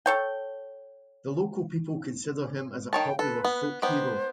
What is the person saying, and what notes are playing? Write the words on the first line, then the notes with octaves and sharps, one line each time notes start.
The local people consider him as a popular folk hero.
A4 C#5 G5
D#3 C#5 G5 A5
A4 B4
B3
B3 D#4 G4 C5